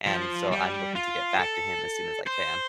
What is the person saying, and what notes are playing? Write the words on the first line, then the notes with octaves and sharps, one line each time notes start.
and so I'm looking to get back to him as soon as I can.
F3
G3
F4
A4
C5